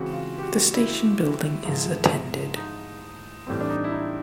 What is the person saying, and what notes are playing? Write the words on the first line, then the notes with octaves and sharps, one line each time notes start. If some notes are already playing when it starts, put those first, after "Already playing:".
The station building is attended.
Already playing: C#3 E3 G#3 C4 F#4
F4
G4
F#4
E4
G#2 F3 G#3
D#4
A2 E3 G3 C4
D4
D#4
E4
D#4